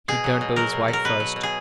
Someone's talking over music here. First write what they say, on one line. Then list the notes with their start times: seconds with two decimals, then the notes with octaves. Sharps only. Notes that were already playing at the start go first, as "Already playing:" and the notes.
He turned to his wife first.
0.08 B2 G#4
0.24 F#3
0.41 B2
0.56 F#3 A#4
0.73 B2
0.88 F#3
0.93 A#4
1.05 B2 B4
1.20 F#3
1.36 B2
1.43 G#4